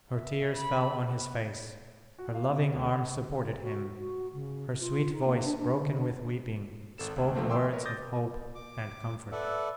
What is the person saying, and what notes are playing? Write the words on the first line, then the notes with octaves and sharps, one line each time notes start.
Her tears fell on his face, her loving arms supported him; her sweet voice, broken with weeping, spoke words of hope and comfort.
E5
B5
B3
F#4
F5
C3
D2
F#4
F#4
C#3
F4
D#4
A#3
D4
D4
D3
D4
G#1 A4 E7
G#1 D2
D3 F3 A3 A#3 C4
E5 G5 G#5 C6 D6 E6
A#4 B4 C#5
D6 D#6 G6 A6 A#6
D6
A4 B4 D5 E5 F#5